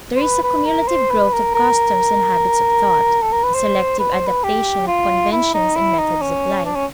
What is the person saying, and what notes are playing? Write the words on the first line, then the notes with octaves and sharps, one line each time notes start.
There is a cumulative growth of customs and habits of thought; a selective adaptation of conventions and methods of life.
C5
B4
B4
A#4
C5
B4
A#4
A#4
A4
A#4
B4
C5
B4
C5
B4
G4
F4
E4
D#4
E4
D#4
C#4
D4
C#4